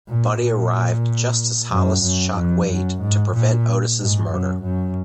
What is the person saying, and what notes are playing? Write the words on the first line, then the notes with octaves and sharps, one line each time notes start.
Buddy arrived just as Hollis shot Wade to prevent Otis's murder.
A#2
A#2
F#2
F#2
F2
F#2
G#2
A#2
G#2
F#2
F#2